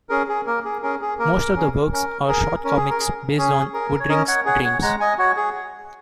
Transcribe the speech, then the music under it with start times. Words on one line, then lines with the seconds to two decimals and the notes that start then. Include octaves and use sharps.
Most of the works are short comics based on Woodring's dreams.
0.09 C#4 G#4 A#4
0.29 G#4
0.47 A#3 A#4
0.65 G#4
0.83 C#4 G#4 A#4
1.01 G#4
1.19 A#3 A#4
1.56 C#4 G#4
1.92 C#4 A#4
2.28 G#4 A#4
2.65 C#4 A#4
2.77 G#4
2.90 A#4
3.01 G#4
3.37 C#4 G#4
3.74 G#4 A#4
4.00 C#5
4.09 C#4 A#4 D#5
4.28 C#5 F#5
4.46 G#4 C#5 F#5
4.65 C#5 F#5
4.83 G#3 F#5 A#5
5.00 D#5 G#5
5.19 F#4 C#5 F#5
5.37 G#4